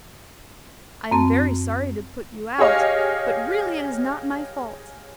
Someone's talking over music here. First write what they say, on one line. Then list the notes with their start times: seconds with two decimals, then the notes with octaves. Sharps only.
I am very sorry to put you out, but really it is not my fault.
1.11 F#2 C4 A5
2.58 G4 G#4 C#5 D#5 F5